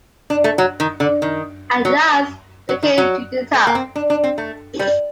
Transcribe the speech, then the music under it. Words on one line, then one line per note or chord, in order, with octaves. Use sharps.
At last they came to the top.
D4
A3
F#3
D#3
D3
D#3
F#3
F#3
D#3
F#3
A3
A#3
C4
D4
D4
C4
A3
G3